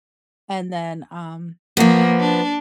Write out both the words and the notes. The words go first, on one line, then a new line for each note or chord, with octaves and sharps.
and then, um,
F3 A#3 B3
D4